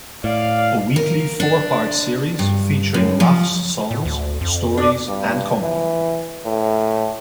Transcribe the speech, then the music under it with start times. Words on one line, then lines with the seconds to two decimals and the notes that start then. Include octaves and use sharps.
A weekly four-part series featuring Lach's songs, stories and comedy.
0.24 A2 D5 F5
0.96 A#4
1.40 D4
2.39 G2
2.94 F#2
3.20 F3
3.91 A2
4.05 D2
4.41 F2
4.78 D4
5.08 G2
5.62 E3
6.45 A2